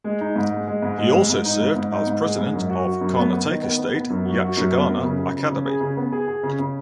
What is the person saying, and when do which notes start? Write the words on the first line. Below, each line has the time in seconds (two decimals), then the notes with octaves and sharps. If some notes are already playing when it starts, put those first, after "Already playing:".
He also served as president of Karnataka state Yakshagana academy.
0.04 G#3
0.21 D#4
0.36 G#2
0.52 G#3
0.67 G#3
0.82 G#2
0.98 G#3
1.14 G#2
1.30 G#2
1.45 D#4
1.60 G#2
1.76 G#2
1.92 D#4
2.07 G#2
2.22 G#3
2.38 G#2
2.54 F#2
2.70 F#4
2.85 F#4
3.01 F#2
3.16 B3
3.32 B3
3.47 D#3
3.62 B3
3.78 B3
3.95 B3
4.10 F#2
4.25 F#4
4.40 F#4
4.57 F#2
4.72 B3
4.87 F#2
5.03 C#3
5.19 C#3
5.35 C#3
5.50 C#3
5.65 G#4
5.81 C#3
5.97 B3
6.12 G#4
6.28 G#4
6.43 C#3
6.59 C#3